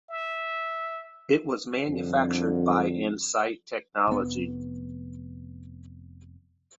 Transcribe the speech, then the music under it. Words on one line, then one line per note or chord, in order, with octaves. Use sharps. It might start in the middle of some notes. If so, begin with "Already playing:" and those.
It was manufactured by Insight Technology.
E5
C2 F2 D3
F1 B3